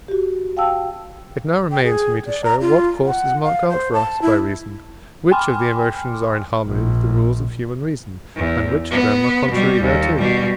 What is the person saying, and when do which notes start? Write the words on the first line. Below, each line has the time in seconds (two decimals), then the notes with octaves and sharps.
It now remains for me to show what course is marked out for us by reason, which of the emotions are in harmony with the rules of human reason, and which of them are contrary thereto.
0.08 F#4 G4
0.57 F5 G5 A5 E6
1.71 G5
1.84 G#4
2.27 D5
2.44 A#5
2.61 F4
3.06 F#5
3.44 F5
3.69 C5
3.93 A5
4.22 E4
5.31 G5 G#5 B5 C6 D6 F6
6.66 A#1
8.36 E2
8.91 B3
9.51 B2 G3
9.81 D#2
10.18 B2 G3